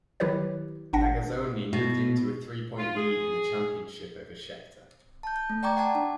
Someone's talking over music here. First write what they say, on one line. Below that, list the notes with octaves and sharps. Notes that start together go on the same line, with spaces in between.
Regazzoni moved into a three-point lead in the championship over Scheckter.
D#3 F#3 E4 G4 B4 C#5
G#1 D4 F#5 A#6
B2
F4
G#4
A5 G6
G6
A3
D5 G5 A#5 C#6 D6 G#6
F#5 A5 G#6
D4